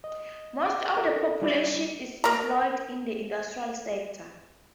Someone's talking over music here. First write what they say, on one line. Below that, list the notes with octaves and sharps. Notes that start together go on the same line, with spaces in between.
Most of the population is employed in the industrial sector.
D#5
D6
A4 A#4 D#5
G3 D4 E4 D5
A#4 A#5